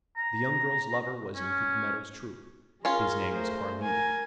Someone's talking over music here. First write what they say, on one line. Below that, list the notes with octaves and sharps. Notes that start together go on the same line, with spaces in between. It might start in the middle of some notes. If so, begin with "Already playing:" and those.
The young girl's lover was in Cucumetto's troop; his name was Carlini.
A#5
C#4
C#4 F4 G#4 A#4 C6
A3 C5
A#4 G#5